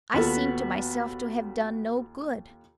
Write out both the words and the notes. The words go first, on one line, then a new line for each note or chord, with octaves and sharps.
I seemed to myself to have done no good.
D#2 B3 F4 F#4 A4